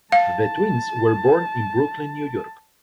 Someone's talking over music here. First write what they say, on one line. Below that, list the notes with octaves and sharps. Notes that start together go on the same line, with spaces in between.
The twins were born in Brooklyn, New York.
F5 A5